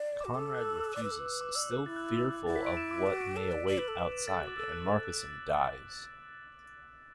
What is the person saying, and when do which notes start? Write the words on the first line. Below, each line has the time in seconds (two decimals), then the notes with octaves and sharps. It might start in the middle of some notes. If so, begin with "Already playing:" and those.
Conrad refuses, still fearful of what may await outside, and Marcusson dies.
Already playing: D5
0.21 F#4 D6
0.34 A4 D6
0.46 E6
0.55 F#6
0.65 E6
0.76 D6
0.85 E6
0.95 D5 D6
1.03 B4 E6
1.11 A4
1.16 B4 D6
1.25 E6
1.41 D6
1.55 D5 E6
1.71 A4 F#6
1.86 E4 A6
1.96 F#6
2.06 F#6
2.16 E6
2.31 F#6
2.46 E4 A6
2.56 B6
2.66 D7
2.77 E7
2.91 D6
3.06 F#4
3.21 D7
3.36 A4 E7
3.52 D5
3.67 D5 F#7
3.78 B4
3.88 A4
3.97 B4 E7
4.12 E7
4.27 A4 A6
4.37 F#6
4.43 F#4 D6
4.57 A4 E6
4.72 F#6